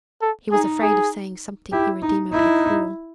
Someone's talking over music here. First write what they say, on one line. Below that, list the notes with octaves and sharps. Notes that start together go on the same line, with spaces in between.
He was afraid of saying something irremediably cruel.
A4
D#4 G#4
G#4
E4 G4
D#4
D#4 E4